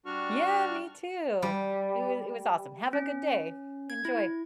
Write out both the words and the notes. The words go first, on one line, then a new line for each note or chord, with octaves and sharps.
Yeah, me too. It wa it was awesome. Have a good day. Enjoy.
G3 D4 F#4 C#6 F6
G3
C#4
G#6
E4